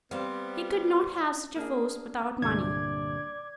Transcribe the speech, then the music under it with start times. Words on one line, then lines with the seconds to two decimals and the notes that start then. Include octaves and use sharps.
He could not have such a force without money.
0.11 G3 B3 C4 C5 F5
1.56 A#3 D4 G#4
2.42 C2 G2 A#2 D3 D5 G#6